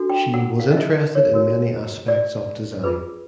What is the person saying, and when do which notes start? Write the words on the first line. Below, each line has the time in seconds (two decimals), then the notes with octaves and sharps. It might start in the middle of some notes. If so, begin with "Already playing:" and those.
She was interested in many aspects of design.
Already playing: D4 F#4 A4
0.10 G5
0.34 F#5
0.60 F5
0.72 D#5
0.77 E5
1.15 C#5
1.34 F#4 A#4 C#5
2.08 D5
2.84 F4 G#4 B4